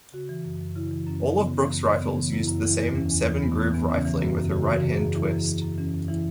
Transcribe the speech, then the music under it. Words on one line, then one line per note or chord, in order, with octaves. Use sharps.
All of Brooke's rifles used the same seven-groove rifling with a right-hand twist.
C#3 F#4
E3
F#2
F#2
C#3 E4
E3
F#2 C#4
F#2
C#3 B3
E3
F#2
F#2
C#3 B3
E3
F#2 E4
F#2 E4
E3 E4
E2
E3 C#4
E2
E3
E2 B3
E3
E2 B3
C#3 C#4
E3
F#2 F#4
F#2
C#3 F#4
E3
F#4
F#2
G#4
F#2
E3 E4
F#2
E3
F#2
E3 C#4
F#2
E3 E4